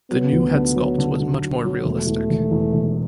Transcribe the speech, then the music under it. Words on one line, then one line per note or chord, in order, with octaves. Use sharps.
The new head sculpt was much more realistic.
F#3 B3
D2
D3
F#3
D3
D3
F#3
F#3
E1 A3
E2
E1
E2
E1